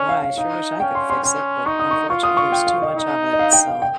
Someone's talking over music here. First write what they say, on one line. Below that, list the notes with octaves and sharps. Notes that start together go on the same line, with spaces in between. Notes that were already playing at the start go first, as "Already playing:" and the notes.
boy, I sure wish I could fix it, but unfortunately there's too much of it, so
Already playing: C#4 C#5
F5
F5
D#4 F5
C#4 G5
C6
C6
C#4 C6
D#4 C#6
D#6
C#6
F4 C#6
D#6
C#6
G5
F5
D#5
D#4
D#5
F5
G5
F5
G5